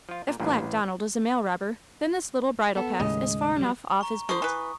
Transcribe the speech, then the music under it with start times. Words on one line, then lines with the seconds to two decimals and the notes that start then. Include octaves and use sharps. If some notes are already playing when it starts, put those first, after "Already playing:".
"If Black Donald is a mail robber, then this little bridle-path is far enough off his beat."
0.09 F3 F4
0.28 A#2
0.40 A1 G2 A#2
2.75 B3 A4
2.99 D#2 A2 C#3 G#3 D#5
3.57 F#3 G3
4.01 A#5 C#6
4.29 D3 C5 C#6 D#6
4.42 E3 B4